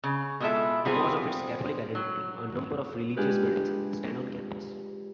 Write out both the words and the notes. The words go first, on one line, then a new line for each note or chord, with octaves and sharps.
Because of its Catholic identity, a number of religious buildings stand on campus.
C#3
B2 G#3 E4 F4 A4 E5
C3 G3 B3 C4 F4 G#4
F#3
G#3 D4 F4 G4 G#4 B4